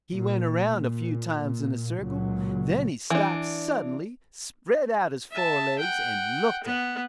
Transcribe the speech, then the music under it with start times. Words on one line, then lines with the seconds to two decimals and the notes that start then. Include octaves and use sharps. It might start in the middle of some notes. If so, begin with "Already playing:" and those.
He went around a few times in a circle; then he stopped suddenly, spread out his forelegs, and looked at me.
0.12 A#2
0.67 A#2
1.96 C#2 A#2 F#3
3.10 E3 D4
5.31 E5 A5
5.79 F#5 G5
6.64 B3 F#5